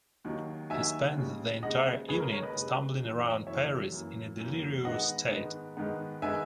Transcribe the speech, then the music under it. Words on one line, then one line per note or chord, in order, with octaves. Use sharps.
He spends the entire evening stumbling around Paris in a delirious state.
D#2 D#3 F#3
D#2 D#3 F#3 E5 G#5
D#2 C#3 G#3
D#2 C#3 G#3 D#5 F#5
D#2 C#3 G#3 G#4 B4
A#4
A#4 C#5
B4 D#5
D#2 C#3 G#3
F#2 E3 A#3
F#2 E3 A#3 C#5 E5
F#2 E3 A#3
F#2 E3 A#3
G#2 D#3 G#3 B3 D#5 F#5
G#2 D#3 G#3 B3
G#2 D#3 G#3 B3
D#3 G#3 B3 E5 G#5